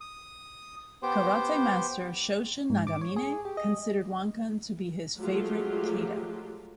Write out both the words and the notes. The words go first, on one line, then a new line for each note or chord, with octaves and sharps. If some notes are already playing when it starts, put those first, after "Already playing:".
Karate master Shoshin Nagamine considered "wankan" to be his favorite kata.
D#6
B3 G4 C5
G#2
D6
C#5
G#4
G4
D#5
F3 F#3 G#3 A3 F4 G4